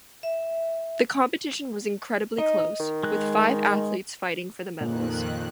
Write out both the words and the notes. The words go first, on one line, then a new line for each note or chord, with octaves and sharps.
The competition was incredibly close, with five athletes fighting for the medals.
E5
D#4 D#5
D#3
G#3 F#6
F2 A#2 D#3 F#6